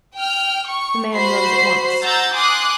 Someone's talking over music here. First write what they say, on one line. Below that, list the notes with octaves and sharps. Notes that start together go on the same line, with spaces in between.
The man rose at once.
G5 F6
C#6
F#4 C5 B5 C7
F#5 A#5 E6 G6 A6
G#5 C6 D6 D#6 F#6